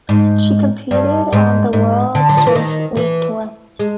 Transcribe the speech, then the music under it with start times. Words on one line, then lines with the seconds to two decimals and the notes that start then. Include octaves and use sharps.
She competed on the World Surf League Tour.
0.09 G#2
0.91 G2
1.32 G#2
1.73 G#2
2.15 D3
2.29 F#3
2.37 F3
2.47 E3
2.55 D#3
2.97 E3
3.79 G#3